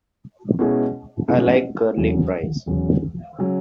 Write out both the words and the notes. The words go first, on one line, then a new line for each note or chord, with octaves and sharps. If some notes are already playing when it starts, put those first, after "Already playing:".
I like curly fries.
B2 G#3 C#4 E4 G#4
B2 G#3 C#4 E4 G#4
E1 E2 C#3 F#3
E1 E2 C#3 F#3
C#3 F#3